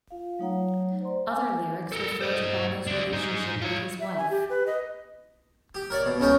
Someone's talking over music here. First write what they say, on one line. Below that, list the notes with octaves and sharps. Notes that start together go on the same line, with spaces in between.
Other lyrics refer to Bono's relationship with his wife.
F4 F5
F#3 A3 D#4 C#5 F#5 A#5
C5 D5 A#5 C6
G#5 D6
A4 A#4
C5 D#5
D4 F#4
G#2 D#4
F4 C#5
E5
G#5
G4
B4
D#5
G4
A#4 C#5 D5
B2
C#2 C#3 C#4 A#4 G5